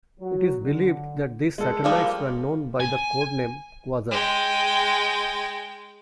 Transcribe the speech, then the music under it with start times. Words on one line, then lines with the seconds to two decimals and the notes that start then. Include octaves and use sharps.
It is believed that these satellites were known by the code name "Quasar".
0.20 F#3
0.62 D3
1.58 G#3 A4
1.84 F3 G3 A#3
2.80 G#5
4.11 G#3 G5